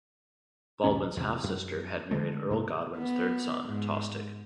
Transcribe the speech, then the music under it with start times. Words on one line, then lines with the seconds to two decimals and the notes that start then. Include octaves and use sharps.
Baldwin's half-sister had married Earl Godwin's third son, Tostig.
0.84 A#1 D#2 G#2 C#4
1.17 E2 C3
1.44 F#2
2.11 D3 F3 G#3 A3
2.50 G#2 C3 A#3
2.98 B3
3.67 G#2